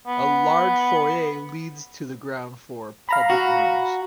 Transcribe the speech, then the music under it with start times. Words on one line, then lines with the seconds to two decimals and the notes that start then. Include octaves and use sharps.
A large foyer leads to the ground floor public rooms.
0.07 B3
3.09 F5 A#5 B5
3.30 F#4